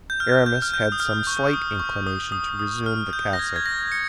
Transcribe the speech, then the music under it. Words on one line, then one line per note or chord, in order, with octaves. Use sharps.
Aramis had some slight inclination to resume the cassock.
G6
F6
G6
F6
G6
D#6
F6
C#6
D#6
C#6
D#6
D#6
D#6
F6
G6
A#6
G#6
G#6
A#6
C#7